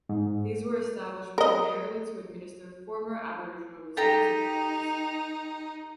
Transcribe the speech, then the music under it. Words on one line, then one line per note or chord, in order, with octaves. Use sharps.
These were established primarily to administer former Aboriginal reserves and missions.
G#2
A#4 D#5
D#4 G4 A4 A#5